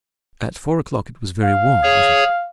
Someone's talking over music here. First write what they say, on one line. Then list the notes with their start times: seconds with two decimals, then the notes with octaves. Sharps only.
"At four o'clock--it was very warm, wasn't it?"
1.44 F5
1.83 G#4 C#5